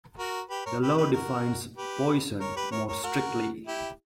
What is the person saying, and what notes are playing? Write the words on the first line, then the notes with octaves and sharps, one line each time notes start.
The law defines "poison" more strictly.
F#4 A#4
G4 B4
A#4 C#5
G4 B4
G4 B4
F#4 A#4
G4 B4
A#4 C#5
G4 B4
A#4 C#5
A#4 C#5
F#4 A#4
E4 G4